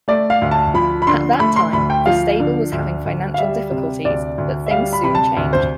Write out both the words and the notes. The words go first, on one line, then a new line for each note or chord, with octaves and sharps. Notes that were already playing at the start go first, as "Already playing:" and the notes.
At that time, the stable was having financial difficulties but things soon changed.
A3 D5
F5
D2
A5
F3 B5
B5
D3 C6
A3 B5
C6
D2 B5
G5
F3 F5
D3
D2
D2
F5
G3 E5
C3
D2 D5
D2
E5
G3 F5
B5
C3 B5
A5
D2
C5